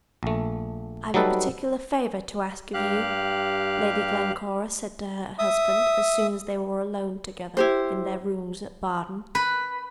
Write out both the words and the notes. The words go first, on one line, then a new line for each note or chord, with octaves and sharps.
"I've a particular favour to ask of you," Lady Glencora said to her husband, as soon as they were alone together in their rooms at Baden.
A#1 A3
F#3 G3 D#4 A4 B4
G2 G4 F5 F#6
E5 D#6
E4 G4 C5
B4